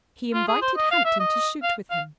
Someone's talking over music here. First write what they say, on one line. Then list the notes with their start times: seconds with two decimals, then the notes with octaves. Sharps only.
He invited Hampton to shoot with him.
0.34 F4
0.48 G#4
0.62 C5
0.76 D#5
0.91 F5
1.05 E5
1.20 D#5
1.63 F5
1.91 F5